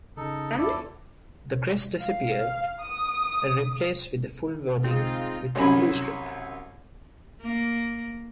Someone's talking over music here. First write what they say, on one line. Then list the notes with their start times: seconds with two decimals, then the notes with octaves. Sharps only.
The crest disappeared and replaced with the full wording with blue strip.
0.17 C#3 D#4 A4
0.58 E2 E4 A4 D5
1.98 F5
2.80 D#6
4.84 G#3 C4 D#4 F4
5.55 C2 F#2 C#4 G#5 B5
7.41 A#3